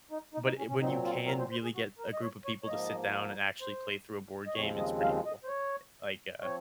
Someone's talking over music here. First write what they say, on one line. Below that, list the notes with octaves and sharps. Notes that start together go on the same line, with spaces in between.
but i when you can really get a group of people to sit down and actually play through a board game, it's pretty cool, eh, like, uh,
D#4
D#4
D#4
C#4
C#4
A#2 F#3 C4 D#4
F4
A#4
C5
C5
G#4
F#4
A#4
D#5
C#5
C#5
C#5
G#2 F3 A#3 D#5
C5
D#5
D#2 C#3 F3 G#3 C4 C#5
D#5
F5
D#5
C5
C#5
F3 C4 C#5